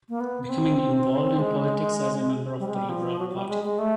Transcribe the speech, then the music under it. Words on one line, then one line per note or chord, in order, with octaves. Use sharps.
Becoming involved in politics as a member of the Liberal Party.
A#3
B3
B3
C4
G#3
G3
G#3
G3
F3
F#3
F#3
G3
G#3
G#3
A3